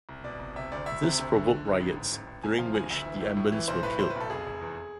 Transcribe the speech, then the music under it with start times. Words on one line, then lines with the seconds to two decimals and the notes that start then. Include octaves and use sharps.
This provoked riots during which the Ambans were killed.
0.09 C2
0.24 B2 D5
0.40 C2
0.56 C3 E5
0.72 D2 D5
0.86 D2 E5
1.03 C3
1.18 D2
1.34 D3
1.49 D3
1.65 D3
1.80 A1
1.97 G#2
2.12 A1
2.27 A1
2.44 C3 G#5
2.58 F3 F5
2.74 D2 G#5
2.90 D2 E5
3.06 E3
3.20 A2
3.37 A2
3.52 E3
3.68 B1 C5
3.83 A2 B4
3.99 A2 C5
4.10 B4
4.15 B1
4.20 A4
4.30 F1 G#4
4.47 F1
4.61 E2